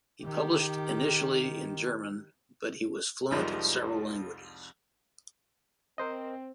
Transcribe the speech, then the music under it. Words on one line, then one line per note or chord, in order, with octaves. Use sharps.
He published initially in German but he was fluent in several languages.
D#3 G4
C2 F2 D#3 F3 G3 G#3
C4 A#4 C5 D#5